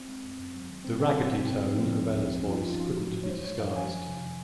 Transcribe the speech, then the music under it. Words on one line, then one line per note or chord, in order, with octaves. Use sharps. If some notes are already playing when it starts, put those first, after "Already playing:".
The raggedy tone of Ella's voice couldn't be disguised.
Already playing: C4
G#3
F#2
F#2
F#3
D#3
F#3 C4
C3 C4
F2
C3
G#2 C4
F3
F3
C#2
C#2
F3
F#2 C#4
F4
F#2 D#4
F3 F4
F4
G#2 F#4
G#2
F#3
C#5
G#3 C5
F#2 C#5
F3 F5
D#3 G#5
F2
C3